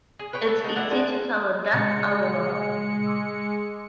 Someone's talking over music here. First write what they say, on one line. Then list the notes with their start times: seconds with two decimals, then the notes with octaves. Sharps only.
It's easy to tell the depth of a well.
0.19 G#4
0.33 B4 C#5 G5
0.48 A4
0.64 G#3 B3 D#4
0.75 G3 E4 F#5
0.91 G#3 B3 D4 F4
1.73 A#2 C#3 G#3 C#7
3.06 C6 D6 E6